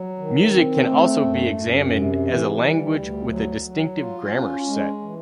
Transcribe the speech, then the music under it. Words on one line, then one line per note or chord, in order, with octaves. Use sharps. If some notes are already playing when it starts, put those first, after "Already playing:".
Music can also be examined as a language with a distinctive grammar set.
Already playing: F#3
D#3
C4
A3
F#2
F#2
C3
E3
G3
D2
F#3
F#3
F4
C#4
G#3
E3